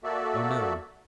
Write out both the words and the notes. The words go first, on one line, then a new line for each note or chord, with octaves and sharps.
"Oh, no."
A#3 F#4 A4 D5 E5